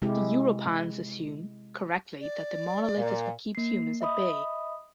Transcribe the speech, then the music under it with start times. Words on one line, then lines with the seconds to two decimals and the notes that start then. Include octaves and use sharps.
The Europans assume, correctly, that the Monolith is what keeps humans at bay.
0.02 C3 G#3 E4 G4
2.21 D5
2.98 A#2
3.55 A#3 C7
4.01 D#5 E5 B5 D#6